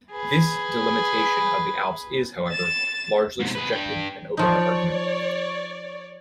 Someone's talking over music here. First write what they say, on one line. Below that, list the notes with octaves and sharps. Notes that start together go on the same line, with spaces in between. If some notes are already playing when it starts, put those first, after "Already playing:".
This delimitation of the Alps is, however, largely subjective and open to argument.
G#4 B4
A6 E7
G#2 C3
G#4 B4
D4 G5
F3 D#4 C#5 D5